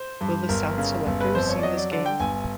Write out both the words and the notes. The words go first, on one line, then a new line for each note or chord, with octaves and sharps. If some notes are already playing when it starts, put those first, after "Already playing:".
Will the South selectors see this game?
Already playing: C5
G2
G1 A#4
C#3
G1
B4
F2 C5
C#5
D5
F#3 D#5
D5
D3 D5
G5
G1 G#5